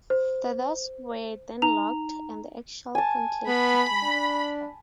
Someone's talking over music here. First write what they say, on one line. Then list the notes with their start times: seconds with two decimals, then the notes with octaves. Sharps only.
The doors were then locked, and the actual Conclave began.
0.10 C5
1.62 D#4 A#5 F7
2.95 G#5 A5
3.47 B3 B5
4.03 D4